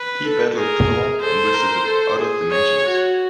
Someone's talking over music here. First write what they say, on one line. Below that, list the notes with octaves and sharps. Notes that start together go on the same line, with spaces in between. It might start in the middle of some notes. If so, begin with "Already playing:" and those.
He battled Klaw, and visited other dimensions.
Already playing: B4
A4
G#4 A#4
A4 C5
A#4
A4
G#4
C#5
F#4